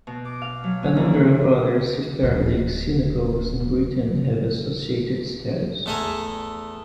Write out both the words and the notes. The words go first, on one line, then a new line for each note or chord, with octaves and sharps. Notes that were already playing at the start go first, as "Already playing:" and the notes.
A number of other Sephardic synagogues in Britain have associated status.
B2
D6
F5
F#3
C#4
D#2
E4
D1 F4
E2 A3 A4 G#5 A#5